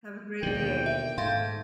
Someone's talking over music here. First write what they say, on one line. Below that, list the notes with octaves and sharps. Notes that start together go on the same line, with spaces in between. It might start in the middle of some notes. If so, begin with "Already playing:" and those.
Have a great day.
D#2 B2 D3 G#4 G5
E5
G#2 A3 F5 C6